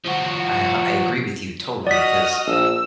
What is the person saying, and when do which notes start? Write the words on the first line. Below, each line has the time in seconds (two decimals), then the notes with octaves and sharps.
I h I agree with you totally 'cause,
0.05 F3 F#4
1.87 F#4 D5 D#5 D#6 F6 B6
2.47 A#1 E6